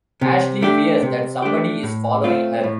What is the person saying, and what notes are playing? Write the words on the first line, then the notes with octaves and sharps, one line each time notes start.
Ashley fears that somebody is following her.
C3
A3 D4 G4
C3
A3 D4 G4
A2
A3 C4 F4
A2